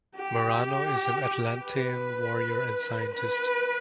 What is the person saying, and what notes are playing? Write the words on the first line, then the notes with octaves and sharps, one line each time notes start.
Meranno is an Atlantean warrior and scientist.
G4
B4
B4